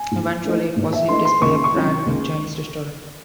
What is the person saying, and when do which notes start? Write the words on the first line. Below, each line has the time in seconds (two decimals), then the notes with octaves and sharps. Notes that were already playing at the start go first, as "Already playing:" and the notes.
Eventually it was replaced by a brand new Chinese restaurant.
Already playing: G#5
0.11 G#2
0.45 E3 A3 D#4
0.76 G#2
0.93 E5
1.09 E3 A3 D#4 C6
1.25 C6
1.42 C#2 C#6
1.53 C6
1.64 C#6
1.74 C3 F#3 C#4 E4
2.06 C#2